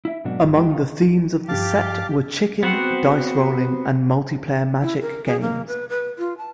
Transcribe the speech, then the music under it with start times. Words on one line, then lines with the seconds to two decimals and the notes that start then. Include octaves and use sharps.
Among the themes of the set were chicken, dice rolling and multiplayer Magic games.
0.05 E4 E5
0.24 G#2 B2 F#3 A#3 D4 F#4
0.42 G3 F4
0.55 E3 F3 G#3 F#4 G4
0.69 D#4 F4
1.49 G2 F3 G4 F5 A5 D6
2.63 B3 C4 F#4 C5 F#5
4.82 E4
5.01 A#4
5.25 G#4
5.41 A#3
5.67 B4
5.89 B4
6.19 F4
6.38 A5